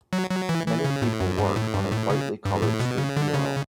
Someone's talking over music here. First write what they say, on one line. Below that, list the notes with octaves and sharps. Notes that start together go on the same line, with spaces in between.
Many people work on a brightlycolored street mural.
F#3
F#3
E3
E3
C#3
A2
F#2
G2
A2
G2
A2
C#3
G2
A2
B2
C#3
D3
C#3